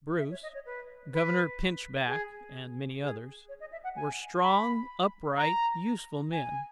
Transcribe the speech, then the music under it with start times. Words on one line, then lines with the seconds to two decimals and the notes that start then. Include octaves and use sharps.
Bruce, Governor Pinchback, and many others, were strong, upright, useful men.
0.19 E5
0.31 C#5
0.43 D#5
0.54 C#5
0.66 B4
1.13 B4
2.07 G#4
3.01 G#4
3.49 C#5
3.60 D#5
3.72 E5
3.84 F#5
3.96 G#5
4.43 B5
5.37 A#5
6.32 G#5